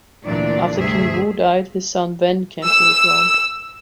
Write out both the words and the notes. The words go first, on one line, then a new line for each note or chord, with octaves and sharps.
After King Wu died and his son, Wen, came to the throne.
D2 A#2 E3 D4 D5
D2 G2 C3 G#4 E5
E6